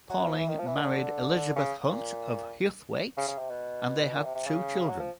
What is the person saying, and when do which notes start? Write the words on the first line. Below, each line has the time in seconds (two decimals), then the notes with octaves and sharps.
Paling married Elizabeth Hunt of Huthwaite, and they had two children.
0.10 F#3
0.26 F3
0.36 E3
0.48 D#3
0.58 F3
0.67 E3
0.75 D#3
0.82 D3
1.56 C#3
1.88 A#2
3.17 C#3
3.28 C#3
3.38 C3
3.50 B2
4.14 A#2
4.25 C3
4.35 C3
4.46 C#3
4.89 F#3
5.00 F3